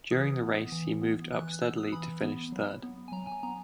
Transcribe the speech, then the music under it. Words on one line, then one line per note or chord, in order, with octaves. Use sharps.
During the race, he moved up steadily to finish third.
E3 D#6
B3
E3
B3
E3 F#6
F#6
B3 E6
D#6
E3 B5
B3
F#3
B3
G#5
F#3 A#5
G#5
B3 A#5